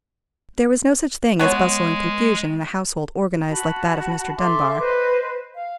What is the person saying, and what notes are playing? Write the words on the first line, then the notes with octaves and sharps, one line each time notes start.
There was no such thing as bustle and confusion in a household organized like that of Mr. Dunbar.
G#3 B3 C#5
F#4 A5 B5
A4 E5 C6 D6
B4 C5 D#5
F5